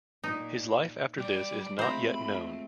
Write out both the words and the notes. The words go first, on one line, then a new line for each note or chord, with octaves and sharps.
His life after this is not yet known.
A#2 D#4
G3 D5
F3 G#3 A3 C4 E4 C5 A#5 B5